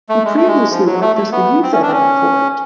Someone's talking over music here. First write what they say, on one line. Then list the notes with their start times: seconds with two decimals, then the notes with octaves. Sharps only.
He previously worked as the youth editor for it!
0.09 A3
0.25 G#3
0.36 A3
0.47 G#3
0.71 F3
0.86 F#3
1.01 A3
1.16 A3
1.32 B3
1.63 C4
1.73 C#4
1.82 D4
1.88 C4
1.93 C#4